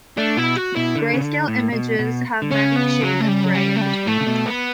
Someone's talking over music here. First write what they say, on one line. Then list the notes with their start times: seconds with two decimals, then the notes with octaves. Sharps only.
Grayscale images have many shades of gray in between.
0.17 A3 D4
0.37 B2 E4
0.56 F#4
0.76 B2 E4
0.95 D3
1.13 C#3
1.21 D3
1.48 A2
1.73 B2
1.99 B2
2.42 D3
2.51 C#3 C#4
2.76 B3
3.03 F#3
3.21 A3
3.28 G3
3.44 F#3
3.55 G3
3.76 A3
3.81 G3
4.06 A2 A3
4.21 C#3
4.27 B2
4.46 B3